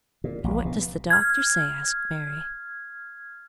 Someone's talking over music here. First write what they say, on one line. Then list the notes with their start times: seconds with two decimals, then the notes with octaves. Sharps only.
"And what does the doctor say?" asked Mary.
0.24 A#2
0.44 A#1
0.65 B2
1.10 F6 G#6